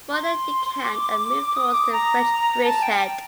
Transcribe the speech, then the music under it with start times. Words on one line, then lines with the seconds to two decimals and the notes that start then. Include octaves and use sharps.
Waldeck decamped and moved towards the French bridgehead.
0.13 C6
0.84 D6
1.56 D#6
1.74 D6
1.93 A#5
2.64 A5
2.82 G5
3.00 G5